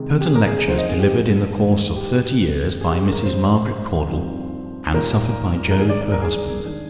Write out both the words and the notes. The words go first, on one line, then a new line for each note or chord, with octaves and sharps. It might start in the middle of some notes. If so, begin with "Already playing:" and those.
"Curtain Lectures delivered in the course of Thirty Years by Mrs. Margaret Caudle, and suffered by Job, her Husband."
Already playing: C3 D#3 G#3 D#4
G4
G#4
A#4
G#4
G#4
F2 D3 F3 C4 D#4 C5
D#5
G#4
G4
G#4
D#3 G#3 D4
G4
D#3 G#3 C4 D#4
G#4
G4
G#4
A#4
G2 D3 G3 D4 C5
G2 F3 C4 D#4
A#2 G3 A#3 D#4 A#4
A#4
D#3 G3 D4 G#4
D5
D5
A#4
G#4
D#3 G#3 D4